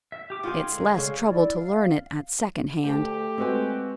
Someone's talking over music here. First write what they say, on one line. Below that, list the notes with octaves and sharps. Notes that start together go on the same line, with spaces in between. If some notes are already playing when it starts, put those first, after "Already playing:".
It's less trouble to learn it at second hand.
E5
G4 D6
D#4 F4 F#4 G#4 G5
D3 G#3
C#3
E4 D5
F5
D2 A3 G4 A5
G#3 C4 F#4 B4 G#5